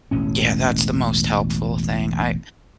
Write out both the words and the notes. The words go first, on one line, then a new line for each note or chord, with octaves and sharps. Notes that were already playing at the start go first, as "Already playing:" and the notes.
Yeah, that's the most helpful thing. I
E1 A1 C#4